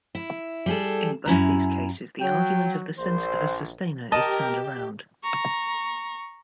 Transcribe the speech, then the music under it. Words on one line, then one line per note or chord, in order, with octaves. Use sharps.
In both these cases the argument of the centre as sustainer is turned around.
E4
G3 G#4 A4
F#2 C#4 E4 A#5
F#3 G5
A#1 C5
G4 A#4 D#5 A5
A#5 C#6